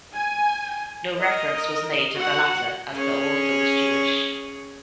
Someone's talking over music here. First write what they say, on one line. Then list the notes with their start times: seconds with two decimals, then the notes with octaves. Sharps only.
No reference was made to the latter as the author was Jewish.
0.14 G#5
1.17 A#4 D#5
2.15 F#4 F#5
2.93 C#4 G#4 C#5